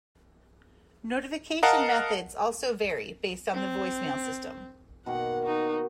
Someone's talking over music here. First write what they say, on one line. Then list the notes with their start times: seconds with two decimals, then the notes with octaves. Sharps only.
Notification methods also vary based on the voice-mail system.
1.63 A#4 D#5 F5 F#5 A5
3.54 C4
5.06 B2 D#3 A#3 F#5
5.45 D#4 F#4